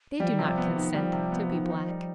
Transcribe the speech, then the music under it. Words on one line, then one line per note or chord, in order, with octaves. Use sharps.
They do not consent to be black.
F3 G3
D#3
C3
F3
B3
D#3
F3 G3
C3
B3
D#3
D#4
G3